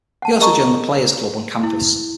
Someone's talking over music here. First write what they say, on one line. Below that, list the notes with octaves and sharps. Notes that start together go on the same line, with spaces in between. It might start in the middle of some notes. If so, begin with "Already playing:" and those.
He also joined the Player's Club on campus.
F#5 A5
G#4 A#4 D#5 A5 A#5 C#6
E4